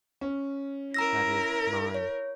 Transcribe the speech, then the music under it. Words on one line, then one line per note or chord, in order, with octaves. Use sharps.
That is, mine.
C#4
E4 A#4 A#5 E6 A#6
C#5